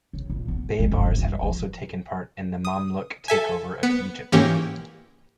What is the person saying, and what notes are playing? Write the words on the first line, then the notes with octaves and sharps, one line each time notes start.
Baibars had also taken part in the Mamluk takeover of Egypt.
C#3
A#2
B3
G#3
G1
G#1
G3
F3
D#6
A4 E5 G#5
B3
G#2 E3 A#3 C#4 G4